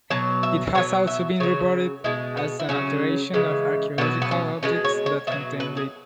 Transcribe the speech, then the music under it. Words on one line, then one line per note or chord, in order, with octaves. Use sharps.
It has also been reported as an alteration of archaeological objects that contain lead.
B2 F#3 C#5
E5
B2 F#3 C#5
E5
C#3 F#3 C#5
B2 G#3 E4
B3
E4
C#3 F#3 C#4
C#3 E3 G#3
B2 F#3 B3
B3
C#4
B2 G#3 C#4
C#5
C#5
B2 F#3 E5
B4
G#4